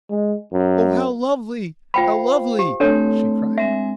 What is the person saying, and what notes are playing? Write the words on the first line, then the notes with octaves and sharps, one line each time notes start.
"Oh, how lovely! how lovely!" she cried.
G#3
F#2
F4 C5 F5 G5 B5
G4
A3 C4 D4 A4 C#5
G#3 C4 E5 G#5